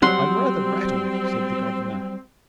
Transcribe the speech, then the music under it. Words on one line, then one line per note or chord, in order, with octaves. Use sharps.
"I am rather rattled," said the Governor.
F#3 G3 C4 F#5 C6